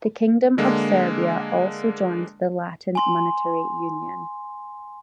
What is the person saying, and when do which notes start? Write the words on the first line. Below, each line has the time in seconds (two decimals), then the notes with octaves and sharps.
The Kingdom of Serbia also joined the Latin Monetary Union.
0.58 D3 G#3 A#3 D4
2.95 G#5 C6